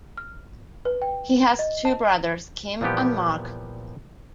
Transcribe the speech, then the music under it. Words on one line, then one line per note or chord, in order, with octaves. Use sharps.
He has two brothers, Kim and Mark.
F6
B4
G5
D#5
A5
A#2 E3 F3 G3 B3 G4